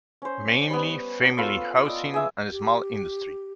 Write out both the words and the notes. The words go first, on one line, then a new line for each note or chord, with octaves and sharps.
Mainly family housing and small industry.
C#4 C5
G3 B3
F#4
B3 F4 A4 C#5
D5 D#5
G#4 E5 D6
G4